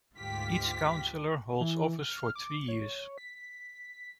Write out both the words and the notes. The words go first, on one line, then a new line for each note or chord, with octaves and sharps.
Each councilor holds office for three years.
D2 G#2 F4 G4 B6
E3
F6
D6
C#5
B6